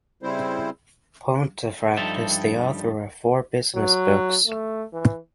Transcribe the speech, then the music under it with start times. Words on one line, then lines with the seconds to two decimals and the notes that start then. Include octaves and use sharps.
Pontefract is the author of four business books.
0.23 C#3 G3 C4 E4 C5
1.97 G2 F3 G3 D#4 A4 E5
3.75 F#3
4.48 A3
4.93 E3